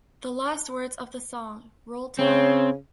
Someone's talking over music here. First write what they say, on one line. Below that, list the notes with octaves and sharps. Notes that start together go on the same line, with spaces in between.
The last words of the song, Roll Tide!
C#3 C4 C#5